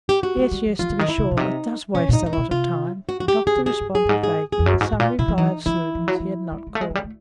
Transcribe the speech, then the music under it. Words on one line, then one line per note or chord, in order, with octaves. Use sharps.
"Yes, yes, to be sure; it does waste a lot of time," the doctor responded vaguely to some reply of Sludin's he had not caught.
G4
F#4
A3
G3
F#3
F3 F4
D3
D#3 D#4
E4
C#3
B2
C3 D#4
B2 C#4
A#2
D#4
A2
D#4
B2 E4
C3 F4
F#4
F#4
G4
G#4
C3
B2 G#4
G#2
G#4
G2
G#2
G#4
G#4
F2
F#2
G2
G#2 F#4
A2
A#2 F4
B2 E4
F3
E3 D#4
F3 E4
F3
F#3
F3
G3
G#3
A3
G#3
F#3
G3
A3